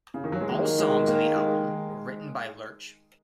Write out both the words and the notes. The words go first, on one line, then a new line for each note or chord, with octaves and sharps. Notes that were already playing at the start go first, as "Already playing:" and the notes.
All songs on the album were written by Lerche.
C#3
D#3
F#3
G#3
D#3 A#3
G#3
A#3
G#3